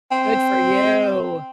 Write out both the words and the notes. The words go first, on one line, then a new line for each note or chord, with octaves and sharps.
Good for you.
C4